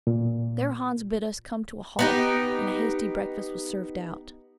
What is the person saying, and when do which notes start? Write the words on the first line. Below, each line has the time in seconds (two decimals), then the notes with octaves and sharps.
There Hans bid us come to a halt, and a hasty breakfast was served out.
0.07 A#2
1.99 B3 D#4 G4